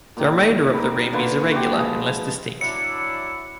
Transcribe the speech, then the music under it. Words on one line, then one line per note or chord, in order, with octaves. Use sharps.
The remainder of the rim is irregular and less distinct.
A#2 D#3
A#4 B5
A#2 D3 F4 B4
F#4 G4
F3 G#3 G#4
F#3 D4 E4 C#7